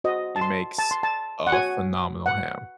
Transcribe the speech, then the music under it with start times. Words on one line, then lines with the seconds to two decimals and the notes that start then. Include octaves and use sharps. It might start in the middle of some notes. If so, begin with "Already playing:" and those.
he makes a phenomenal ham,
0.04 F#4 C5 D#5
0.36 A5
0.41 C6
0.78 A5
0.91 C6
1.03 A5
1.47 F#5
1.52 F#4 C#5 G#5
2.26 F#5